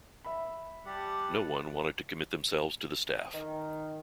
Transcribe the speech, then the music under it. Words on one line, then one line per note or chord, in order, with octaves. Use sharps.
No one wanted to commit themselves to the staff.
E5 B5
G3 G4 F#5 A5
D#3